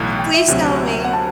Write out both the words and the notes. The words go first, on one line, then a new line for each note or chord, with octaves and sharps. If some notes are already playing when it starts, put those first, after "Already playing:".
Please tell me.
Already playing: B1 A2 E3
G5
E5
D2 C3 F#3
F#5
A5